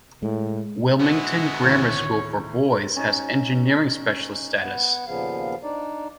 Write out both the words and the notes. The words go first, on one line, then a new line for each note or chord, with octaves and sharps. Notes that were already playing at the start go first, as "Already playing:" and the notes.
Wilmington Grammar School for Boys has engineering specialist status.
A2 G#3
D3 G#3 B3 E4 F#4
D2 A2 D#3 C#5
C#4 D#4 F#4
B3 F#5
D#2 A#2 C#3 F3 B3 F5
D4 D#4 D5